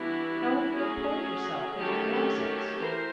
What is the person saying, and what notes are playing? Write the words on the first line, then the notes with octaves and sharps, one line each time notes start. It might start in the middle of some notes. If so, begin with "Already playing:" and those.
How have you employed yourself in my absence?
Already playing: E3 G3 B3 D4 E4 F#4
F#3 A3 C#4 F#4 G#4
D#3 F#3 A3 C#4 G4 A4
E3 A#4 C5